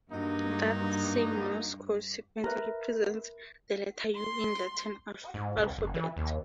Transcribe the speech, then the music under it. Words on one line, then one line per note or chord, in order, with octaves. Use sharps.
That same Morse code sequence represents the letter U in the Latin alphabet.
G2 F#3 A#3 D#4
A#4 B4 E5
C6
G#2
C2
F#1
E3
D#2